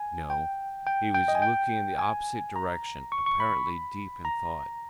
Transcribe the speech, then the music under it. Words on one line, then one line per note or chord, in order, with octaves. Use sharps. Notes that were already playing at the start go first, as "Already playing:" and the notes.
No, he was looking in the opposite direction, apparently deep in thought.
Already playing: G#5
G5
G5
G5
D#5
G#5
G5
G#5
A#5
C#6
C#6
B5
A#5